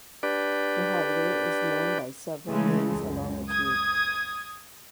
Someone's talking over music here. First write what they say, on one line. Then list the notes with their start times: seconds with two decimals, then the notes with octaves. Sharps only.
The highway is known by several names along its route.
0.23 D4 G4 B4 D5
2.47 C#3 E3 G#3 A3
2.97 C#2 F#2
3.47 D#6 G#6